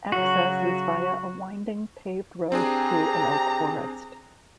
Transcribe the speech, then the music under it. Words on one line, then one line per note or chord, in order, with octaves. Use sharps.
Access is via a winding paved road through an oak forest.
C#3 F#3 F#4
C4 D4 G4 G#4 A#5